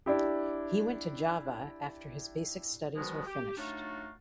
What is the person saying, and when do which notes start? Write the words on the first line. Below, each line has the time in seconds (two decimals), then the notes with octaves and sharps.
He went to Java after his basic studies were finished.
0.06 D4 E4 G4
2.96 B2 D#3 F3 G3 G#3 B3
3.26 G4
3.58 F#3 A3 D4 D#4 F4 F#4